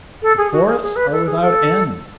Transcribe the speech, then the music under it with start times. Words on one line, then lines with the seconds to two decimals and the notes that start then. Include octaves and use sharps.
The forests are without end.
0.22 A4
0.38 G#4
0.53 F#4
0.67 G#4
0.82 G#4
0.96 B4
1.12 A4
1.26 G#4
1.41 A4